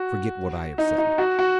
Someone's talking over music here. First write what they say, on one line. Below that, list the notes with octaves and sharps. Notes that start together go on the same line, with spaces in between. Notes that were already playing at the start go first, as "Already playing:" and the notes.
Forget what I have said.
Already playing: F#4
D#4
D#4
F#4
F#4